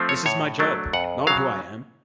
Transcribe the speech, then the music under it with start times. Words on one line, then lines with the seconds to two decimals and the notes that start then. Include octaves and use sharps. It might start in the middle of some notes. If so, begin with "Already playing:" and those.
This is my job, not who I am.
Already playing: F3 A3 C4
0.09 C#5
0.26 A2 C#5
0.59 F#3 A3 D4
0.93 F2 F#5
1.27 C#3 F#3 F5